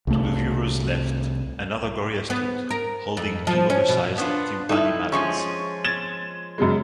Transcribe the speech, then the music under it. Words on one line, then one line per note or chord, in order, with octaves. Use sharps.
To the viewer's left another gorilla stood, holding two oversized timpani mallets.
C2 A3
B3
A#4
F2
F3
C#4
B2
B3 D4 F4
D#4 E4 A4
F3 G#3 C#4 C#6
G#6 A6 E7
F#2 C#3 G#3